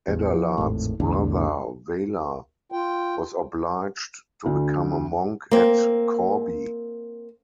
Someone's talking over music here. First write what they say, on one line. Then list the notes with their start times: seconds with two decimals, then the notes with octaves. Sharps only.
Adalard's brother Wala was obliged to become a monk at Corbie.
0.08 A1 E2
0.33 F3
0.58 G#1 E2 A2
1.00 B1 E2 A2 D3
2.72 F4 G5
4.46 D2
5.51 A#3 C4